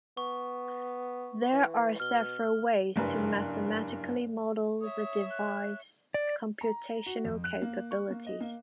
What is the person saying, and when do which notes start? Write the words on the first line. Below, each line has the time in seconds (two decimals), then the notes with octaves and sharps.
There are several ways to mathematically model the device's computational capabilities.
0.17 B3 C#6
1.53 E3
2.00 B2 F6 G7
2.96 F#1 G2 B4
4.81 C#5 E5 D#6
5.30 F#6
6.14 D5
6.61 A#5
7.06 F#4
7.25 F2
7.44 F#6
7.62 A#3
7.91 C#6
8.10 A#3
8.26 D#5
8.40 A#3